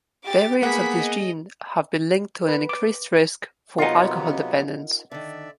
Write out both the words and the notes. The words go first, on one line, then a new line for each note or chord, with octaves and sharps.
Variants of this gene have been linked to an increased risk for alcohol dependence.
G4 D6 A6
A#3 B3 G#4 F#5 B5 B6
D#5
B4
D6
C3 F#3 B3 D#4 F4 A#4 D#5 F#5
D3 D#3 D5 E5